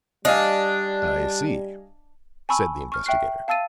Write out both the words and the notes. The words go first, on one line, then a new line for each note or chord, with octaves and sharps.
"I see," said the investigator.
G3 D4 D#5 F5 G#5
G#5 A5 B5 C#6 E6
C#6 F6
E5 G5 C#6 F#6 C7
F5 A5 E6 A6 D#7